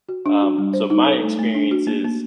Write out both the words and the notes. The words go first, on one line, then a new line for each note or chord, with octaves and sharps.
Um, so my experience is,
F#4
D4
F#4
G3
C5
D#4
A4
A3
A3
D4
F#4
A#3
A#3